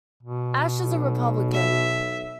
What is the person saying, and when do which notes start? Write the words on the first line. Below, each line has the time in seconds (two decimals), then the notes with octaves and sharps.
Ashe is a Republican.
0.23 B2
0.84 B1
1.53 E5